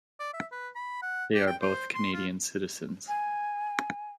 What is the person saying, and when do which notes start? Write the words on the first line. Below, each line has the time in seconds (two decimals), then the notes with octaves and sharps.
They are both Canadian citizens.
0.19 D5
0.33 E5
0.51 B4
0.75 B5
1.02 F#5
1.34 G4
1.47 G5
1.61 C5
1.94 C6
2.13 F4
3.08 G#5